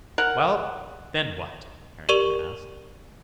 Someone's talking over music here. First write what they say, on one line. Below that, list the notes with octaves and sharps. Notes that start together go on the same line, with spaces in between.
"Well, then what?" Harrington asked.
A#4 F#5
G4 A#4 D5 C#6 D#7 F7